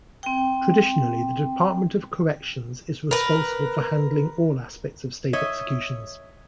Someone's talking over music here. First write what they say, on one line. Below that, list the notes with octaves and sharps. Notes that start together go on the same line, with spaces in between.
Traditionally the Department of Corrections is responsible for handling all aspects of State executions.
C4 G5
A#4 B4
C#5 D#5 E5